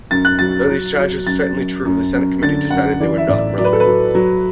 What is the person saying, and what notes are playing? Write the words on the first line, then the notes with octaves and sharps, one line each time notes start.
Though these charges were certainly true, the Senate Committee decided they were not relevant.
F#2 A6
F#6
F#3 A6
F#3
F#3
F#2 A6
F#2
F#2
F#2
D3 A6
F#2 F#5
E3 D5
E5
A2 D5
F#3 D5
B4
A4
B4
F#3
F#3